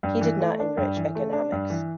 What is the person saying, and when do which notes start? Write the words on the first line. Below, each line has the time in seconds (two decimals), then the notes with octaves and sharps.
He did not enrich economics.
0.03 G2
0.21 E3
0.40 A3
0.60 D4
0.77 G2
0.97 E3
1.15 A3
1.33 D4
1.52 G2
1.70 E3